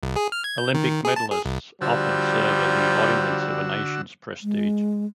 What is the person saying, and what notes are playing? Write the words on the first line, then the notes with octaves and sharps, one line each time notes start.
Olympic medalists often serve as embodiments of a nation's prestige.
C2
G#4
F6
G#6
G6
D#3
D#3
G#4
A5
G#4
C2
D3 F3 G3 F#4 E6
G#3